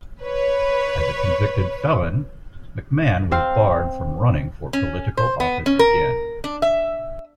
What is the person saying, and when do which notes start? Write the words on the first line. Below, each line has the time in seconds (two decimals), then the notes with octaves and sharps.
As a convicted felon, McCann was barred from running for political office again.
0.22 B4 C#5
3.32 C4 C5 F5
4.73 C#4
5.17 C5
5.40 B3
5.66 C#4
5.79 A#4
6.44 D4
6.62 E5